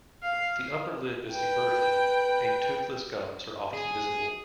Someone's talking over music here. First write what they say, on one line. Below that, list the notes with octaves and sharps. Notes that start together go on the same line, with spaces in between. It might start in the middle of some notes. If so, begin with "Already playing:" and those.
The upper lip is everted and toothless gums are often visible.
F5
B4 G5
G#4